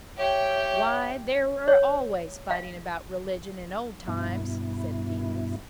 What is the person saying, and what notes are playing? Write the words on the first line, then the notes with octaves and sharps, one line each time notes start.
"Why, they were always fighting about religion in old times," said Felix.
G4 C#5 E5 G5
C#5
F5
G2 B2 E4